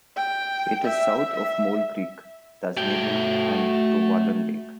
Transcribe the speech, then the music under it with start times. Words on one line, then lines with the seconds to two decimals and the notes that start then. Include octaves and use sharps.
It is south of Mole Creek, Tasmania, and Rowallan Lake.
0.16 G5
0.85 E5
1.35 E5
2.77 A3 F#4 G5